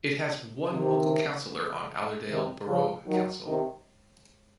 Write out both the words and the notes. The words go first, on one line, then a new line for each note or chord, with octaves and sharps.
It has one local councillor on Allerdale Borough Council.
C3 D#3
C3 D#3
C#3 F3
D#3 F#3
C3 D#3